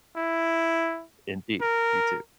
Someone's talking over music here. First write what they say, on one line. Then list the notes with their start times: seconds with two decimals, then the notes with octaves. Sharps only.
Indeed, you too.
0.16 E4
1.62 A#4